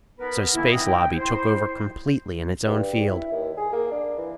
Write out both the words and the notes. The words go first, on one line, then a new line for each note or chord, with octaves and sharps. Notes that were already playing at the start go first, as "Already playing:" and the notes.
So Space Lobby took over completely in its own field.
B3 D#4 A#4 B4
D3 E3 A#3 B3 E4
C4 D4 D#5
G5
E4 C5
G2
G2
E4
D#2
G#4
A#3
D4
E3